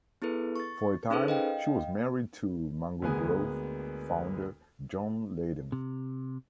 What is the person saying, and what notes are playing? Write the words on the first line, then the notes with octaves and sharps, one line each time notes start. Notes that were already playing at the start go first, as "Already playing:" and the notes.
For a time she was married to Mango Groove founder John Leyden.
B3 E4 G#4 A4 B4
C#6 A6
C#4 D#4 G#4 A4 B4 C5
D#5 F5 G5
D2 G#3 A#3 B3 G#4 G#5
C3